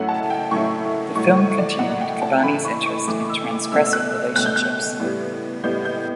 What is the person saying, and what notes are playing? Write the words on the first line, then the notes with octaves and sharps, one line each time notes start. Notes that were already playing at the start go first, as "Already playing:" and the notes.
The film continued Cavani's interest in transgressive relationships.
Already playing: A2 F#3 A3 C#4 E4 F#5
A5
G5
A2 F#3 A3 C#4 E4 C#6
A2 F#3 A3 C#6
C#6
D5
A2 F#3 A3 F#5
G5
A5
A2 E3 A3 B5
C#6
C#6
A2 E3 A3 D6
E6
D6
B2 A3 C#4 E6
E6
F#6
E6
B2 A3 C#4 F#6
G6
F#6
A2 G3 B3
A2 G3 B3 G6
G6